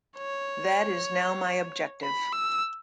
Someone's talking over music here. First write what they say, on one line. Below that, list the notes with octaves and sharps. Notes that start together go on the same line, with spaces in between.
That is now my objective.
C#5
B5
E6